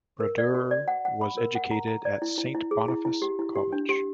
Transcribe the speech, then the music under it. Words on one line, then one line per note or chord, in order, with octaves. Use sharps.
Brodeur was educated at Saint Boniface College.
A#4
D5
F#4
D5
F#5
F#5
B5
A#4
F#5
A#5
A#5
D5
E4
E4
E4
G#4
E4
E4
G4
E4
G4
D4
G4